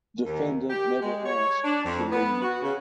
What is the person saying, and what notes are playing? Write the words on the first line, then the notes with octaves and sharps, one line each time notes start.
Defendant never asked to leave.
D#2
G4
G#3
C#5
D4
F2
B3
F#4
C#3